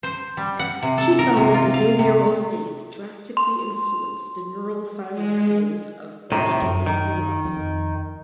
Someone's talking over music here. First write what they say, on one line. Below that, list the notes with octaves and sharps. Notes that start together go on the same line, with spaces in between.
She found that behavioral states drastically influence the neural firing patterns of auditory neurons.
C5
G3
F#5
C3
A4
A#4
C3
F4
F5
C3
C6
G#3
A2 C3 D#3
F#2
D#3
F2